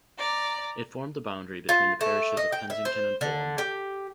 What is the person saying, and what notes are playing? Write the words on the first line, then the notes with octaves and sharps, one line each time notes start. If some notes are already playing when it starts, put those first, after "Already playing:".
It formed the boundary between the parishes of Kensington and Fulham.
D5 A#5
F4
A3
D#5
G5
E5
C5
D3
G4